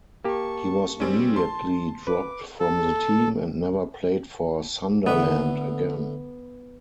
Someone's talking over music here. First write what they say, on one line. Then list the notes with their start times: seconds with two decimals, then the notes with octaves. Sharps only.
He was immediately dropped from the team, and never played for Sunderland again.
0.24 A#3 G4 A5 C#6
1.00 G3 C4 C#4
1.36 A5 C6
2.07 B4 D6
2.60 A4
5.06 A2 D3 B3 E5